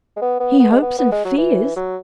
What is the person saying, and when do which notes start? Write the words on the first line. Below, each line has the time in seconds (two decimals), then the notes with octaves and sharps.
'He hopes and fears.
0.16 G#3
0.22 B3
0.40 B3
0.60 B3
0.71 G#3
0.82 B3
0.99 B3
1.12 G#3
1.25 F#3
1.37 E3
1.76 F#3